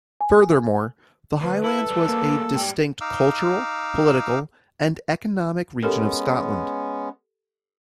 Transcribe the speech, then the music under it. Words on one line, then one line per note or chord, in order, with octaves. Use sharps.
Furthermore, the Highlands was a distinct cultural, political and economic region of Scotland.
G#5
D2 B4
E4 A4
G3 A3
A#3
G#2 G3 G5
D#4 F5 D6 E6
G#3 B3 C#4 G4 A4 A#4